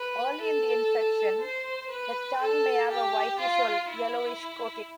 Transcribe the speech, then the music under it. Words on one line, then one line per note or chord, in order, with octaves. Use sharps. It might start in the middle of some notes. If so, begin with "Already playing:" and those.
Early in the infection, the tongue may have a whitish or yellowish coating.
Already playing: B4
A4
C5
B4
A4
G4
F4
E4